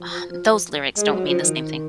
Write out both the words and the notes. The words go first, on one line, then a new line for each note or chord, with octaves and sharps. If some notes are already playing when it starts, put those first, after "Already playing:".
Um, those lyrics don't mean the same thing.
Already playing: F3
G#3
F#3
F3
D#3